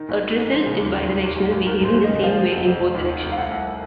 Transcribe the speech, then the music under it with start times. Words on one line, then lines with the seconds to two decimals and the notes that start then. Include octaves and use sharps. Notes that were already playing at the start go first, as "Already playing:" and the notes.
A Trisil is bidirectional, behaving the same way in both directions.
Already playing: D#3
0.09 G#1
0.22 G#1
0.37 G#2
0.51 F3 C5
0.66 C#3
0.79 D#2
0.95 D#2
1.08 D#2
1.23 D#2
1.36 D#2
1.51 D#2
1.66 G#1 A#4
1.81 F#2 C5
1.95 G#1
2.04 D#5
2.09 C#3
2.23 F3 F5
2.37 F3
2.52 F1
2.65 F2
2.80 F1
2.95 D#2
3.09 F1
3.23 F1
3.32 F5
3.37 C2 F#5
3.51 C2